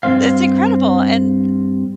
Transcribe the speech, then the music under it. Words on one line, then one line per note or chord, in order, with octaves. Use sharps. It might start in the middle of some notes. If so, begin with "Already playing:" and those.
it's incredible, and
G2 D#3 C4 C5 F5